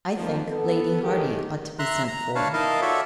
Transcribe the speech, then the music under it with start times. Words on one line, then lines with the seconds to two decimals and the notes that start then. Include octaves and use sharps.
"I think Lady Hardy ought to be sent for."
0.17 F2 D#3 F3 A#3
0.48 B3 A4
1.03 D#3 A3 G4 G#4 A#4
1.79 E5 A#5 C6 F#6
2.08 A#5
2.35 D4 B4 C#5 F5 A5
2.53 D#4 E4 A#4 D#5 F5 A5
2.82 F4 F#4 A4 C#5 D5 E5